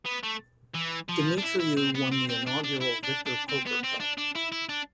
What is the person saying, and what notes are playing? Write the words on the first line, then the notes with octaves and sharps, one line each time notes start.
Demetriou won the inaugural Victor Poker Cup.
B3
A3
E3
F3
D4
E4
E4
C4
B3
C4
C4
D4
D4
E4
D4
D4
C4
B3
C4
D4
D4
E4
E4
D4